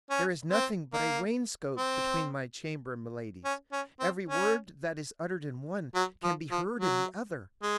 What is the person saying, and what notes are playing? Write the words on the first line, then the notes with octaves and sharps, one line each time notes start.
"There is nothing but a wainscot between my chamber and Milady's; every word that is uttered in one can be heard in the other."
C#4
C4
A#3
C4
C#4
C#4
C4
C#4
F#3
F3
F3
F#3
G#3